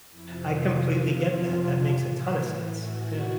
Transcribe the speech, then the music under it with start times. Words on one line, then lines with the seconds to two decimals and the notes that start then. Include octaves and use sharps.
I completely get that, that makes a ton of sense. Yeah.
0.10 F2 C3 F3 E4
0.55 F4
1.00 F4
1.89 A2 E3
2.79 F#4